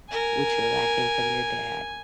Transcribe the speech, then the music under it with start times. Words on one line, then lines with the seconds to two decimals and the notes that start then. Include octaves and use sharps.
what you're lacking from your dad."
0.11 A#4 G#5